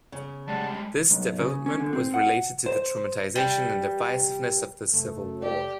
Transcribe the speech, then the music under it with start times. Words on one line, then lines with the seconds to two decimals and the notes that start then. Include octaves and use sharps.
This development was related to the traumatization and divisiveness of the Civil War.
0.12 C#3
0.48 G3 G#3 D5 F#5 A5
1.11 B1
1.39 C#3
1.66 C#4
1.80 D3
1.93 C4
2.14 F#5
2.66 C5
3.36 G3
4.93 F1 A3
5.42 G4 D5